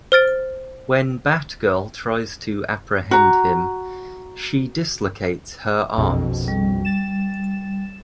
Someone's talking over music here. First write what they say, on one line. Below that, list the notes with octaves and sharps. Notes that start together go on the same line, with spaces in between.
When Batgirl tries to apprehend him, she dislocates her arms.
C5 F6 A6 D7
F#4 A#5
A#1 F2 B2
G3
A6 E7